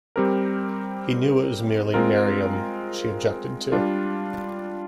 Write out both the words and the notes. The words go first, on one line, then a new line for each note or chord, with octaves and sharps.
He knew it was merely Miriam she objected to.
G3 C4 G4 A#4
G#3 C4 F4 A#4
G3 D4 F4